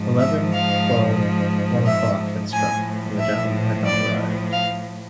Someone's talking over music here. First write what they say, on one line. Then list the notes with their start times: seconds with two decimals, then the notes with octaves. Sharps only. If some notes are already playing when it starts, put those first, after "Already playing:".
Eleven — twelve — one o’clock had struck, and the gentlemen had not arrived.
Already playing: G#2 F3
0.19 E5
0.53 F5
1.86 E5
2.52 A2 F3 G#5
3.19 E5
3.85 D5
4.52 F5